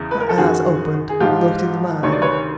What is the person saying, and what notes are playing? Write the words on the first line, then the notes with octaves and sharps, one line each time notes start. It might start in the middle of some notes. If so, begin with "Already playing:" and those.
Her eyes opened and looked into mine.
Already playing: E2 C#3 E3
B4
A#4
A4
F#2 D#3 F#4 G#4
G#4
G#2 F3 F4 G4
D2 C3 D#3 C#5
D5
B4 C#5